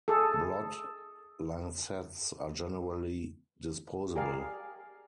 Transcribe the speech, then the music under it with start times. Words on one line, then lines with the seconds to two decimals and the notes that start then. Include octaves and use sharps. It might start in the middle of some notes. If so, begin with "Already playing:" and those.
Blood lancets are generally disposable.
0.08 G#4 A4
4.15 G4 G#4 A#4 D5 F5